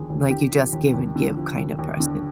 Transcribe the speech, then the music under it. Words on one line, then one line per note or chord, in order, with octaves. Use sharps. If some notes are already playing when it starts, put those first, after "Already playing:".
Like, you just give and give kinda person.
Already playing: D#2 D3 F3 G#4
D#2
D3 G4
F3
D#2
D#2
D3
F3
D#2
D#2
D3